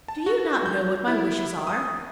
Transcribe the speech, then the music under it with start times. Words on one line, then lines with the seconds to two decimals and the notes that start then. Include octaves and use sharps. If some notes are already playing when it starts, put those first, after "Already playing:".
"Do you not know what my wishes are?"
0.08 A5
0.26 F#4
0.66 G6
1.08 E4
1.67 D#6